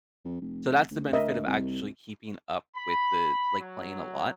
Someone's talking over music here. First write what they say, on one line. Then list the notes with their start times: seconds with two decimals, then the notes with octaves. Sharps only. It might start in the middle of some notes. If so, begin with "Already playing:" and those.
So, that's the benefit of actually keeping up with the like, playing a lot,
0.25 F2
0.41 F1
0.91 D2
1.13 A#4 D#5 E5
1.47 C2
2.76 B5
3.59 F#3